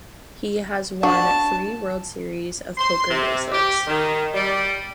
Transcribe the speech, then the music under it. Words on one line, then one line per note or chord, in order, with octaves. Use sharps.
He has won three World Series of Poker bracelets.
D4 F#4 A5
C6
C3
G4
D#3
G3